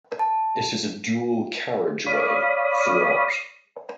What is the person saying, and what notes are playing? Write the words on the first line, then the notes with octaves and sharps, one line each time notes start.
It is a dual carriageway throughout.
A5
C#5 D5 F5 B5 D#6